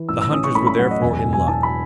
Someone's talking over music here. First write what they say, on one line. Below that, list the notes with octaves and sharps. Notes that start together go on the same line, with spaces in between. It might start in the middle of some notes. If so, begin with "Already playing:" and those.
The hunters were therefore in luck.
Already playing: E3
A1 E6
E6
C#4 D#6
C#6
A2 B5
B5
F#3 F#5
D#5
E1 G#5
G#5
E1
G#5
E2 A5
B5